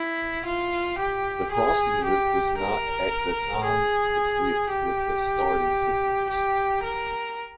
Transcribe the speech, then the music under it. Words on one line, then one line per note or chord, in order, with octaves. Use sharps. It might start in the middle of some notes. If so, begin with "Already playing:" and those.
The crossing loop was not at that time equipped with starting signals.
Already playing: E4
F4
G4
G#4
G4
A#4
G#4
G4
G4
A#4